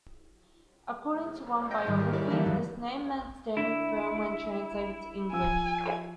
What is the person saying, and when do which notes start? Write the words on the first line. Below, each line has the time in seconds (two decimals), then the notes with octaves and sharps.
According to one biography, this name meant "standing firm" when translated to English.
1.70 D#5 G5 G6 A#6
1.87 G#2 D#3 G3
1.99 D#3 G4 A#4
2.12 E4 G4 C#5 D5
2.29 D3 E3 A#3 B3 G4 A4
2.45 C#2 G2 E3 F#3 G#3
3.57 D3 E4
5.33 F3 G#5 E6